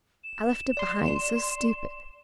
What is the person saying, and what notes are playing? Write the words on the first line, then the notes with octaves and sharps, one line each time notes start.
I left it behind; so stupid!'
E7
D5 C6